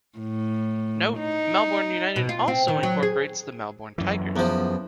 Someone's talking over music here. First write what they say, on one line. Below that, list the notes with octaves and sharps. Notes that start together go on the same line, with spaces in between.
Note, Melbourne United also incorporates the Melbourne Tigers.
A2
D#4
B2
F4
C4
D#3
F#3
G#4
F#2 E3
E2 F3